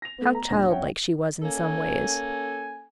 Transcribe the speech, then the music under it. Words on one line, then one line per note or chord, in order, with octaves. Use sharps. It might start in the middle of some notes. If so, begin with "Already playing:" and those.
How childlike she was in some ways!
A#6 F7
A3 B3
A#5
A#1 D#2 D4 A#6
C#5 E5 F#5 G5
A#3 C#4 A4 G#5